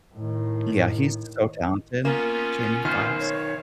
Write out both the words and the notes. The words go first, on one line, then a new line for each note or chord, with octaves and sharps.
Yeah, he's so talented, Jamie Foxx.
A2 D#3
A#3 B3 C#4 F4 G#5
B1 D#3 C5 F6
C#5